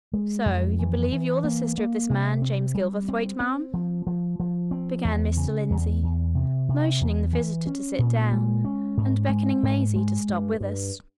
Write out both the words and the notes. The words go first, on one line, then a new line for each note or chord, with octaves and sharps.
"So you believe you're the sister of this man James Gilverthwaite, ma'am?" began Mr. Lindsey, motioning the visitor to sit down, and beckoning Maisie to stop with us.
G#3
F2
E3
E3
A#3
A#3
C3
C4
G3
C4
C4
F3
F3
F3
C4
E2
C#3
E2
E2
C3
C3
E2
E3
C#4
A#2
G#3
C#4
G#2
G#3
G#2
G#3
G2
G2